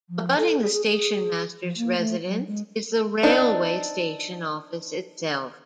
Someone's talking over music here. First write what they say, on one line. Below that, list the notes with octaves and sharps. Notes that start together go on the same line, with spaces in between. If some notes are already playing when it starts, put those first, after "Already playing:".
Abutting the station-masters residence is the railway station office itself.
F3
A4
G#4
G#4
G#4
F3
A#3
A3
F#3
G#3
C4 D4 D#4